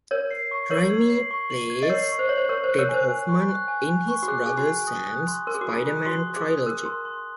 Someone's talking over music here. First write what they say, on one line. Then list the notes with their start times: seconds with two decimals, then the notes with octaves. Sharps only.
Raimi plays Ted Hoffman in his brother Sam's "Spider-Man" trilogy.
0.11 A#4 C#5 G#6
0.31 C7
0.51 C#6
0.70 A#4 C#5 F#7
0.90 G#6
1.10 C7
1.31 C#6
1.50 F#7
1.70 G#6
1.83 D#5
1.89 A#4 C#5 C7
2.09 C#6
2.19 C5
2.29 C#5 F#7
2.37 C5
2.49 A#4 C#5 C#6
2.64 C5
2.69 F#6
2.79 A#4 C#5
2.89 C5 G#5
3.09 G#5
3.29 C#6
3.49 F#6
3.68 G#5
3.88 G#5
4.08 C#6
4.23 F#4
4.28 G#4 F#6
4.46 G#4 G#5
4.58 F#4
4.67 G#5
4.87 D#6
5.07 F#6
5.28 C6
5.47 A#4 C6
5.54 G#4
5.61 F#4
5.66 G#4 D#6
5.77 F4
5.87 F#6
6.06 F#4 C6
6.27 C6
6.36 G#4
6.46 D#6
6.66 A#4 F#6
6.85 C6
7.05 C6